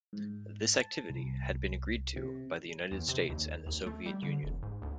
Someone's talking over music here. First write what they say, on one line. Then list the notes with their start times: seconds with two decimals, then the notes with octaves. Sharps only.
This activity had been agreed to by the United States and the Soviet Union.
0.13 G#2
0.74 A5
1.10 C2
2.16 C3
2.91 E2
3.08 C3
3.30 D#2
3.66 D#2
3.87 A3
4.06 G3
4.23 D3
4.43 F1
4.63 G#2
4.82 D2